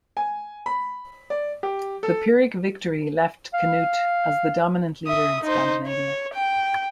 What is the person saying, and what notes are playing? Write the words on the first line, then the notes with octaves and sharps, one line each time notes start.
The Pyrrhic victory left Cnut as the dominant leader in Scandinavia.
G#5
B5
D5
G4
A4
F5
E5 D#6
D#4 C5
C#5
G5